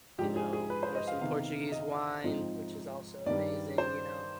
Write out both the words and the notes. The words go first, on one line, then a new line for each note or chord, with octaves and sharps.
you know, or some Portuguese wine, which is also amazing, you know?
G#2 F3 G#3 D4 G4
G#4
G#4
B4
C5
D#5
F5
C3 D#3 B3 D#4 F5
D#5
G#2 F3 C4 D#4
G2 D#3 G3 D5
C5